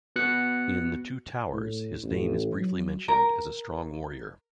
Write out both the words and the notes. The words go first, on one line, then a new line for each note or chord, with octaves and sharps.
In "The Two Towers", his name is briefly mentioned as a strong warrior.
B3 F#4 F#6 C#7
A2
A1
F#3
A#4